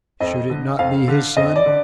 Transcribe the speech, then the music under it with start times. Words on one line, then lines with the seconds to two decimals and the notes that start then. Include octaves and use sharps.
Should it not be his son?
0.20 F2 D#5
0.50 D3
0.79 F2 F5
1.08 D3
1.37 F2 D#5
1.56 D5
1.66 D3